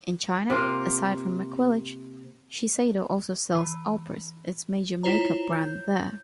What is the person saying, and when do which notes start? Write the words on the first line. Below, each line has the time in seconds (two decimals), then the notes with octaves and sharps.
In China, aside from Maquillage, Shiseido also sells Aupres, its major makeup brand there.
0.50 C3 A#3 F4
3.55 E3
5.03 E4 F4 C5 C#5 A#5
5.53 G6